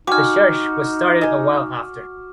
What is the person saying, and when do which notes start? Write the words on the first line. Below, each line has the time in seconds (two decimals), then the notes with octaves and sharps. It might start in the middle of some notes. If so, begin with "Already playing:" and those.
The church was started a while after.
0.07 D#4 F#4 G4 G#5 D6 F6
1.21 D#5 G#5